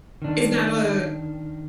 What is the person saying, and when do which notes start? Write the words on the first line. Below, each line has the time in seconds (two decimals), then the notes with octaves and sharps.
Is that a
0.22 D#3 D4